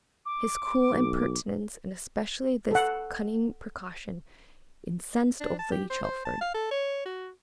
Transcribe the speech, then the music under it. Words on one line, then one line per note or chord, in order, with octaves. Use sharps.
His cool impertinence, and especially this cunning precaution, incensed old Lady Chelford.
D6
B1
A4 F#5
D4
A5
G4
C5
C5
A5
F5
A4
C#5
F#4